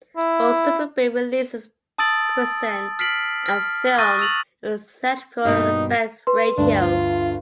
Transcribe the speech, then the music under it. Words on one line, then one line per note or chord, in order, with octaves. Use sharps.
All Superbit releases present a film in its theatrical aspect ratio.
E4
A5 D#6 E6 A6 D7 F#7
F6 B6 C7 D7 F#7
F6
C#6 D#6 F#6 A6 A#6 D#7
E6 A6 F7 F#7
G2 B2 A#3 D#4
B4 C6
D2 G2 D4
F4